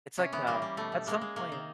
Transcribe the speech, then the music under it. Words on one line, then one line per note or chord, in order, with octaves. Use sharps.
It's like, no, at some point
C3 C#4
E3 B3
G3 A#3
G3
B2 A3
B2
G#3 A#3
G#3
C3 A#3
D#3